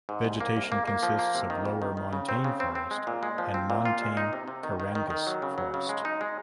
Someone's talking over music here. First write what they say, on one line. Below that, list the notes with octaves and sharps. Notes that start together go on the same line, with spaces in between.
Vegetation consists of lower montane forest and montane kerangas forest.
G#2
C2
A#3
C2
A#3
A#3
F3
A#3
C3
D#3
F2
D#3
D#3
C#3
C4
C#3
C4
C4
G#3
A#2
G#3
F3
C4
A#2
F4
G#3
D#4
C3
C3
D#3
D#3
D#3
D#3
F#3
C#3
F#3
C#3
G#3
D#4
G#3